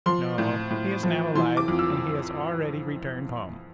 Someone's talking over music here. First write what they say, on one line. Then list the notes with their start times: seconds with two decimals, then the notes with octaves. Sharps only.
"No, he is now alive and he has already returned home."
0.06 F3 C6
0.38 A2
0.71 A2
1.03 F3
1.35 E3 C6
1.57 D6
1.68 F2
1.79 E6